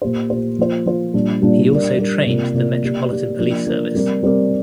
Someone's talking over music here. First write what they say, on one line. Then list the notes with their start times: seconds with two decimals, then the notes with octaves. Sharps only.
He also trained the Metropolitan Police Service.
0.02 A#2 A#3 G4 C5
0.30 A#2 A#3 G4 C5
0.58 F3 A#3 F4 C5
0.86 F3 A#3 F4 C5
1.14 A#2 G3 D4
1.42 A#2 G3 D4
1.71 G3 D4 A#4 D5
1.98 G3 D4 A#4 D5
2.26 C3 A#3 F4 A#4 D5
2.54 C3 A#3 F4 A#4 D5
2.83 A#3 G4 D5
3.10 A#3 G4 D5
3.38 F3 A#3 D4 A#4 D5
3.66 F3 A#3 D4 A#4 D5
3.95 G3 C4 A#4 D5
4.23 G3 C4 A#4 D5